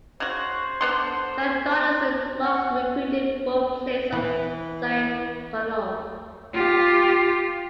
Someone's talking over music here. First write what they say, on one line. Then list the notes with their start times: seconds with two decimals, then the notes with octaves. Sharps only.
John Donaldson, marks the reputed burial place of Saint Conal.
0.20 C#3 F#4 C5
0.81 D3 B3 C6
2.42 F#5
4.12 E3
6.53 F4 G4